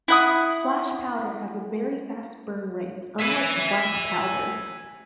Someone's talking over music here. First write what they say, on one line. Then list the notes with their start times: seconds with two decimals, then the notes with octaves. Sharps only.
Flash powder has a very fast burn rate, unlike black powder.
0.08 E4 F#5 D#6
3.20 E5 G#5